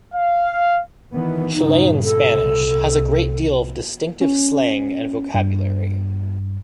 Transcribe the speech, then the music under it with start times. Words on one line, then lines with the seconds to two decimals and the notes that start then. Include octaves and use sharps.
Chilean Spanish has a great deal of distinctive slang and vocabulary.
0.14 F5
1.11 D#3 E3 B3
1.55 G2 A#2 C#3 D#4
2.04 A4
2.38 C2
4.21 C#4
5.34 G2